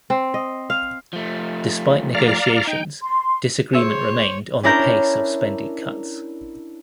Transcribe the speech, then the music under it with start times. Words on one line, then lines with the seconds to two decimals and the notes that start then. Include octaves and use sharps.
Despite negotiations disagreement remained on the pace of spending cuts.
0.10 C4
0.34 D#5
0.70 F5
1.13 F3 A3
2.15 D5 F5 A#5
2.67 D#4 G5
3.02 C6
3.75 G#4 C5 C#5 E5 E6
4.63 C#4 D4 E4 A#4 A#5 G6